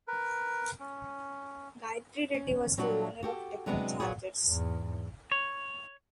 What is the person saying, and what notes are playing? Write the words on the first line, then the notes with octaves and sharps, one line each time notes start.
Gayatri Reddy was the owner of Deccan Chargers.
A#4 B4
C#4
C#4
A#2 F#3 G3 A#3 D4 F#4
F#4 G4 A4
C3 F#3 G#3 B3 C4 D4
A#2 F#3 A#3 B3 F#4 G#4
E2 G#2
C#5